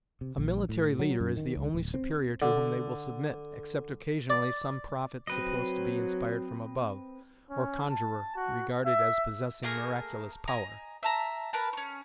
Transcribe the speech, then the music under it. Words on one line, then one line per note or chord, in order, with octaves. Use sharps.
A military leader is the only superior to whom they will submit, except occasionally some prophet supposed to be inspired from above, or conjurer regarded as possessing miraculous power.
C3
A#1
A2
F#3
F#2
D#3
C#2
D1
C4
D3
D5
F#3 C4 B4 D#5
C#4
A5
F#4
E5
A3 A#3 G#4 A#4
D#5 G#5 A#5
E5 A5 A#5
A#4 B4 A5
C#4 C#6